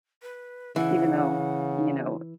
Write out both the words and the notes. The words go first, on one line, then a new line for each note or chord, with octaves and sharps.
even though, you know,
B4
C#3 E3 F#5